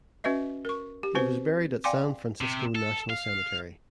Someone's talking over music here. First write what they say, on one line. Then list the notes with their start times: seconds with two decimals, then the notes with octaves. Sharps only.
He was buried at San Francisco National Cemetery.
0.24 C#4 F#4 B4 D#5 E5
0.65 A#4 C#6
1.03 G4
1.15 C4 F#4 B4 C5
1.84 D5 F5 G5 G#5 C6 D6
2.41 C3
2.75 A4
3.10 F5